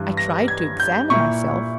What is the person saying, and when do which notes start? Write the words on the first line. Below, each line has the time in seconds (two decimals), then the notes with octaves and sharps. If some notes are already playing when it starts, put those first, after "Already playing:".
I tried to examine myself.
Already playing: G2 E3 G3
0.17 A#6
0.48 G#6
0.80 G6
1.10 A#2 A#3 E4 C#6